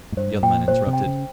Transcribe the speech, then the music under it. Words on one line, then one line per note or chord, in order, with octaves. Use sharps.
The other man interrupted.
G#2
G2 C5
A#2 G5
A#2 C5
C3
G5
C#3